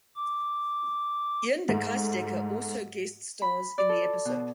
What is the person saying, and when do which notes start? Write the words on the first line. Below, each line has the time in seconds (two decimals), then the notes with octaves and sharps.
Iain De Caestecker also guest stars in the episode.
0.16 D6
1.69 G#2 A3
3.42 B5
3.78 D5
3.89 A4
4.25 B2